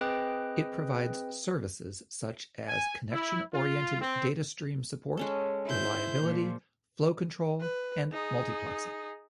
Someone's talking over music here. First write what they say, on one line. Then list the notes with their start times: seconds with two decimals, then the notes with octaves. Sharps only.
It provides services such as connection-oriented data stream support, reliability, flow control, and multiplexing.
0.01 C4 G#4 B4 D#5 G5 F#6
2.68 G#5
3.13 E4
3.53 F4
4.01 C4
5.17 G#3 C#4 A4
5.66 E4 C5 G6
6.23 A#2 F3
7.61 B4
8.13 D#4 G#4